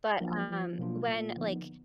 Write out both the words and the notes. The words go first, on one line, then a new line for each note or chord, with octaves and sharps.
but, um, when, like,
F3 F#3 A#3 D4
F3
B2 F#3 A#3 D4 F4
A#2
D3 F3 B3 D#4